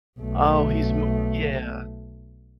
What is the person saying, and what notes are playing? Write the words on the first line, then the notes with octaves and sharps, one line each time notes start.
Oh, he's m yeah.
B1 A3